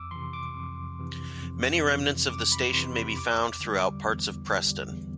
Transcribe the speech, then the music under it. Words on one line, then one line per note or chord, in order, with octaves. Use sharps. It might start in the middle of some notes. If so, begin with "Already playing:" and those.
Many remnants of the station may be found throughout parts of Preston.
Already playing: F2 D6 E6
C3 E3 C6
D6
F2
C3 E3
F2
C3 E3
F2 D6
B5
C3 E3 C6
B5
E2 D6
D3 G3
E2
D3 G3
E2